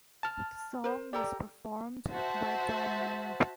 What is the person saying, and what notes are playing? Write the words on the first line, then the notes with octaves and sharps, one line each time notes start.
The song was performed by Tom Leeb.
A5 F6
A#4 C5
G4 A4 D5 A#5
F#4 C5 E5 A5